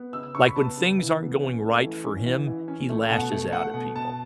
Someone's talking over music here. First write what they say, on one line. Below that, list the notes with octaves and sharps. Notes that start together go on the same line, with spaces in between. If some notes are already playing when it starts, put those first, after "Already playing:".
like, when things aren't going right for him, he lashes out at people,
Already playing: B3
C#3 E6
C#3 C#6
B5
B3 A5
C#3
E3
B3
C#4
A3
E3
C#4
E3
E3
C#4
A3
B2 F#5
A3
A3 F#5
B2
B2 A5